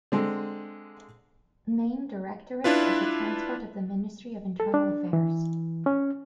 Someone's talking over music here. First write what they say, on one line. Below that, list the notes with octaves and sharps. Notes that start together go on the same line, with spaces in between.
Main Directorate of the Transport of the Ministry of Internal Affairs.
D3 G#3 C4
D4 E4 F4 B4
A4
D4
E3
C#4